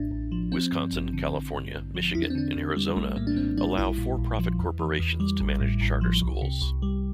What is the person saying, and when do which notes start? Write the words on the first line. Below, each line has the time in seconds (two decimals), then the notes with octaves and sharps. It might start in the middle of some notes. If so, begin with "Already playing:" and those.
Wisconsin, California, Michigan, and Arizona allow for-profit corporations to manage charter schools.
Already playing: A1 A2 D4
0.11 A1
0.32 F3
0.52 F3 C4
0.73 G2
0.93 A1
1.13 D3
1.33 A1
1.54 G2
1.74 A1
1.95 F3
2.15 E2 E4
2.22 D4
2.30 C4
2.35 D3 D4
2.55 E2
2.76 G3
2.96 A#1 A3
3.16 A2 A#3
3.27 D4
3.37 A#1 C4
3.57 G3 D4
3.77 A#1 E4
3.98 A#2
4.18 A#1
4.39 F3
4.59 E2
4.79 E3
5.00 E2
5.20 G3
5.40 A1
5.60 A2
5.81 A1
6.01 F3
6.22 C2
6.42 C3
6.62 C2
6.82 G3